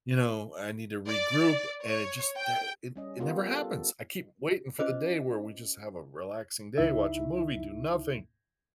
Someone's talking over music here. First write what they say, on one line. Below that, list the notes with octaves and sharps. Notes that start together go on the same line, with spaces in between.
you know, I need to regroup and it just, eh, it it never happens! I keep waiting for the day where we just have a relaxing day, watch a movie, do nothing.
D5
C#5
G5
G3 C#4 D#5
B3 F4 G4 A#4
A4
C#4 F4 B4 C5 D#5 D6
C#2 D#4 E4 E5